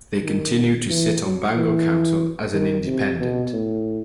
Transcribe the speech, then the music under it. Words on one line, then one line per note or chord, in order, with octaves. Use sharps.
They continued to sit on Bangor Council as an independent.
D#3
E3
F#3
E3
D#3
C3
B2
A2